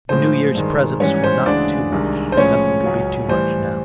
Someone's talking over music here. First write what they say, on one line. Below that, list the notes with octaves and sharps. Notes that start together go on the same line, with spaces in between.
The New Year's presents were not too much; nothing could be too much now.
A2 F3 G#3 C5
G2 D#3 G#3
G#2 E3 G3 C#4 C#5
C5
D2 C#3 E3 G#3 D4 D5
C2 C3 D#3 G#3
C5
A2 F3 G#3 C#4 C#5
C#2 C#3 F#3
A2 E3 G3 C5